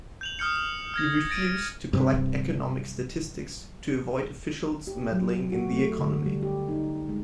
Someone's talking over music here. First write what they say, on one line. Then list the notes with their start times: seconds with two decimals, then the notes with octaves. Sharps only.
He refused to collect economic statistics to avoid officials meddling in the economy.
0.21 G6 F7 F#7
0.39 D#6 F6 G6 C#7
0.94 F6 G#6 A#6
1.30 A6 A#6 D7 D#7
1.93 G2 C3
4.87 G4
5.12 F#3
5.52 F#4
5.71 A3
5.99 D3
6.26 G3
6.43 G4
6.68 D#4
7.09 G#3